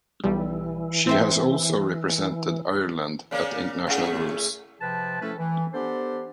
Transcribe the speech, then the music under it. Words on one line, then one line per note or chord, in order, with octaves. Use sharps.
She has also represented Ireland at international rules.
B1 E3 G3
C4 C5 E5
C#3 A#3 C#4 C#5 D5 F5
A2 A3 C#4 G#4 F5 F#5
C3 F3 B4 G5 A5
F3 A3 C#4 E4 A4 B4
E3
B3 D4 G4 A4 C5